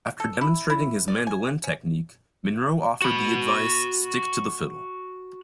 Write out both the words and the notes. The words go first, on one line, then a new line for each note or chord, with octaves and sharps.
After demonstrating his mandolin technique Monroe offered the advice: "stick to the fiddle".
A4
E4
E4
D5
G#5
C#4
F#4 B5